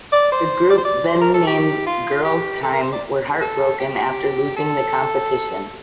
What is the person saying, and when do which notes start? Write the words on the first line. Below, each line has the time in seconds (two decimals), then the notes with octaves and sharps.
The group, then named "Girl's Tyme" were heartbroken after losing the competition.
0.12 D5
0.32 C5
0.70 D5
0.78 C5
0.85 D5
1.09 C5
1.21 A#4
1.34 A4
1.47 G4
1.87 F4
2.25 G4
2.63 A4
2.73 A#4
2.83 C5
2.92 D5
3.41 A4
3.80 G4
4.57 A4